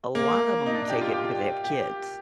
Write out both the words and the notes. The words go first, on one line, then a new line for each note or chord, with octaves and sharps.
A lot of 'em take it because they have kids,
A#3
D#4
D4
G4
F4
G4
G4